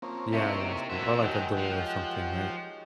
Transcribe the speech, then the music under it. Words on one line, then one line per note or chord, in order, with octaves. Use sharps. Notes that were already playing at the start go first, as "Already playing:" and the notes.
Yeah, yeah, I see, or, like, a door or something, right?
F3 A#3 C4 C#4
A2 C3 D#3 A3
F2 F#4 C5 E5
D#3 F#3 G#3 G4 F#5 G5
F3